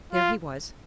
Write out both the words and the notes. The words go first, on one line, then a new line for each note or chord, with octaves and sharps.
There he was!
F4